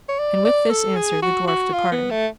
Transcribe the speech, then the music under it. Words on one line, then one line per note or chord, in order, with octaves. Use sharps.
And with this answer the dwarf departed.
C#5
D5
D5
A4
G#4
F#4
F#4
F4
B3
A3